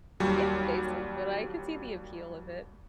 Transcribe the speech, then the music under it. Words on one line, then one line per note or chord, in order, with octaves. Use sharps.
It's basic, but I could see the appeal of it.
D#2 F#3 G3